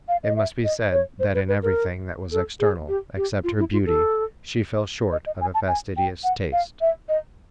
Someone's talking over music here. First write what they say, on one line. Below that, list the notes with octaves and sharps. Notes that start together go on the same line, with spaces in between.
It must be said that in everything that was external, except her beauty, she fell short of a fastidious taste.
F5
D#5
E5
D#5
C#5
C5
B4
B4
A#4
A4
G#4
G4
G4
F4
E4
F4
A4
D#5
D#5
G#5
A5
G#5
G5
F#5
F5
E5
D#5